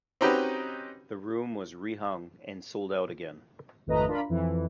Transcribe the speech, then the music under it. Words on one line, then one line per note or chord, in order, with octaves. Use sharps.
The room was re-hung and sold out again.
C4 C#4 D#4 F#4 G4 B4
G#1 F2 A3 B4 D#5 A#5
D4 F4 A#4 B5
F2 E3